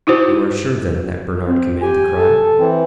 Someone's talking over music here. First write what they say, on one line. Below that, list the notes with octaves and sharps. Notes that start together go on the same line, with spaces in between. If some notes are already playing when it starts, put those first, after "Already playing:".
"You are sure, then, that Bernard committed the crime?"
D#4 E4 F#4 C5
C4
G4 G#5
A4
E3 C4